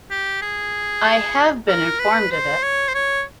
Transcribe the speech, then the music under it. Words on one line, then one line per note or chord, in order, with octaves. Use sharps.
I have been informed of it.
G4
G#4
A#4
B4
C5
C#5
C5
C#5